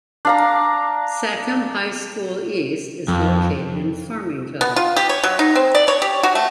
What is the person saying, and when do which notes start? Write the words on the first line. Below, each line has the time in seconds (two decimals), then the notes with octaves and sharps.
Sachem High School East is located in Farmingville.
0.25 D4 F5 A#5
3.08 F2
4.61 B3
4.76 F4
4.96 G4
5.09 C#5
5.23 F#3
5.39 D#4
5.55 C4
5.75 D5
5.88 C#5
6.02 G4
6.23 F#4
6.35 A3